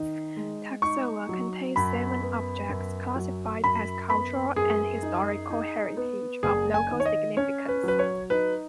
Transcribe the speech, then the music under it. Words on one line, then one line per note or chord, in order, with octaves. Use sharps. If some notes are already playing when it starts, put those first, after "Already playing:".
Toksovo contains seven objects classified as cultural and historical heritage of local significance.
Already playing: D#3 D#4
G#3
D#4 C#6
F#3
F#2 B5
B3
F#2
F#3
F#2 B5
B3 B5
F#2 G#4
D#4
D#4
B3
F#1 G#4
G#5
D#3
C#5
D#5
C#4 C#5
B4
F#3 B4
C#5
D#4 B4